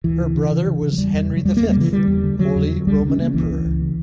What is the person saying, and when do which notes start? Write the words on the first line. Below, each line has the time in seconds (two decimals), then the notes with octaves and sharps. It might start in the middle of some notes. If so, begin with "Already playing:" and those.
Her brother was Henry the Fifth, Holy Roman Emperor.
0.04 D2 E3
0.20 C#3
0.35 C#3
0.51 C#3
0.66 C#3
0.83 C#3
0.92 F#3
0.98 E2 G3
1.14 E2
1.30 C#3
1.37 F#3
1.45 E2 G3
1.57 E2 A#3
1.69 G3
1.77 C#3 E3
1.92 D3 G3
2.08 E2
2.24 D3
2.39 D3 F#3
2.56 E2
2.71 D3
2.87 C#2 G3
3.02 C#3
3.10 C#4
3.18 C#3 A#3
3.34 C#2 E3
3.50 C#2
3.65 C#2
3.80 C#3